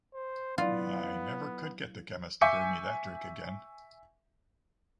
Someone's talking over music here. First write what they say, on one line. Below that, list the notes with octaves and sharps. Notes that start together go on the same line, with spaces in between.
I never could get the chemist to brew me that drink again.
C5
F#3 B3 E4 F4 D5
E5 G#5 C#6 D6 G6 C#7